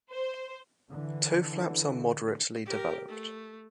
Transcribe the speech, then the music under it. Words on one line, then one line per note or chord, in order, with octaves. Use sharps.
Toe flaps are moderately developed.
C5
D3 E3
G4 A#4
A3